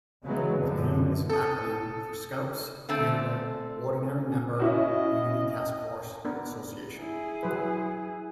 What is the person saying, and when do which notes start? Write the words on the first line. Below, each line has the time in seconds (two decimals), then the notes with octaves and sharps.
The name is an acronym for "Scouts Canada Ordinary-member Unity Taskforce Association".
0.24 C#3 E3 F#3 G#3 B3
0.57 F#2 D3
1.30 A4 D#6
2.89 D3 A3 C4 A4
4.60 C#4 E4 F#4 D#5
6.25 B3 D4 A#4
6.98 E4 G#4
7.43 F#3 B4